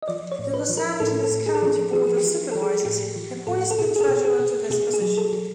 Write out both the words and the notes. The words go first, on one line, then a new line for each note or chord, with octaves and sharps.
The Los Angeles County Board of Supervisors appoints the treasurer to this position.
D#5
F3 D5
C#5
A2
B4
F3
A#4
A2 A4
A4
A2
G#4
A4
F3 G#4
F3 G#4
G#4
G4
F3
F3 A4
G#4
A2 G4
F3
A2 A4
A4
B2 G#4
G#4
A4
B2
G#4
B2
B2 G#4
G#4
F#3
A4
F#3